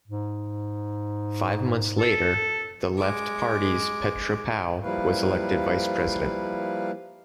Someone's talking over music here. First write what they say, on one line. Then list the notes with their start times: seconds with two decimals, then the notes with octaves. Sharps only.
Five months later, the Left Party's Petra Pau was elected vice president.
0.08 G#2
2.00 A4
2.97 G#3 D6
4.83 F3 G3 A#3 E4 B4 F5